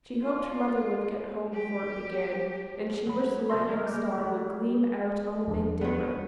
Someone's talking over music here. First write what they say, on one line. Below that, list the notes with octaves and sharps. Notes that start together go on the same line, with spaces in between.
She hoped her mother would get home before it began, and she wished the lighthouse star would gleam out on the Big Dipper.
F4
G4
F#3 B5
C#3 G#4 D#5 C6
G3 A#4
A#3 A#4 D6 G6
F#3 A3 F#4 G4
E2 F3 D4
F#3 B3
G3